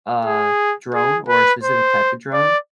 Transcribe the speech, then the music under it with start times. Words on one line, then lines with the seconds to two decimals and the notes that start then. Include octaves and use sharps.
a drone or a specific type of drone.
0.25 G#4
0.94 G#4
1.29 B4
1.63 C5
2.33 D5